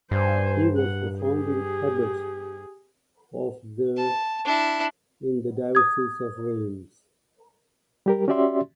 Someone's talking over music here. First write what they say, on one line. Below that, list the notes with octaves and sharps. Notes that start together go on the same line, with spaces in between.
He was the founding abbot of the in the Diocese of Rheims.
G2 C5 G#5
F#5
G4 G#4
A5
D4 E4
D#6 G#6
G3 G4 A#4
C#4 F#4 G4 D5 E5 C6